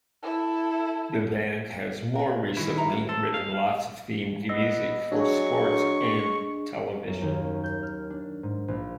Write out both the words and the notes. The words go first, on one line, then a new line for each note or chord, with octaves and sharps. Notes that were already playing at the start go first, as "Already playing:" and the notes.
The band has more recently written lots of themed music for sports and television.
E4 A4
A#4 B4
D#3 E4 F#4 G#4
E5 A#5 B5
C#4 F#4
A4 C5
C#4 G4 D#5 F5
B3 D#5 E6 A#6
F#3 D4 G#4 C#6
F#2
D#2
C#4
G6
F6
D4
G#2
A#1